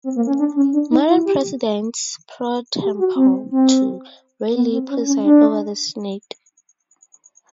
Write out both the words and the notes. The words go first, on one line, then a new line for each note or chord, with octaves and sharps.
Modern presidents pro tempore, too, rarely preside over the Senate.
C4
A#3
C#4
D4
C#4
D4
D#4
E4
G4
G4
F#4
C4
C4
B3
C4
C#4
C#4
D4